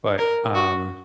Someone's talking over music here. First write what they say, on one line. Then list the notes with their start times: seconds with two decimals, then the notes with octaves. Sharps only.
But, um
0.18 A#4
0.55 F#4